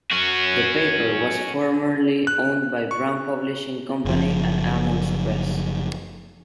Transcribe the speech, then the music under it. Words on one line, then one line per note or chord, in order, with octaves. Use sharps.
The paper was formerly owned by Brown Publishing Company and Amos Press.
C#4 F#4
F#6
C#6
F#1 F3